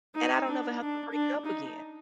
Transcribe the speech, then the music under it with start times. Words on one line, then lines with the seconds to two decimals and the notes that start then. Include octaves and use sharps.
and I don't ever have to bring it up again."
0.15 D#4
0.48 D4
0.80 D4
1.13 D4
1.45 D#4